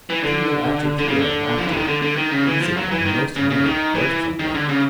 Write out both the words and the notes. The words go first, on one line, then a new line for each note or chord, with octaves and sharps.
Peal after peal of laughter, musical and most merry, burst from her.
E3
D3
D3
C#3
D3
F3
E3
D#3
D3
D3
D#3
C#3
E3
F3
F#3
E3
D#3
C#3
C#3
D#3
E3
D#3
D3
C#3